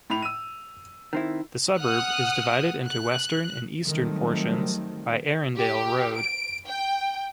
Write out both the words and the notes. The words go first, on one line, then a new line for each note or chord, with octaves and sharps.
The suburb is divided into western and eastern portions by Erindale Road.
A2 B5 F7
E6 D#7
D#3 C4 E4
F#5 D#6 F6 F#6
F#6
D#3 F#3 G3 A3 C4
G4
D7
G5